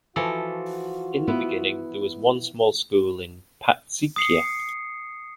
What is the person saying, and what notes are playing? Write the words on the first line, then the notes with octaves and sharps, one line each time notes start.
In the beginning, there was one small school in Patzicia.
E3 F3 F4 F#4 A4
B3 E4
D#6 C7 C#7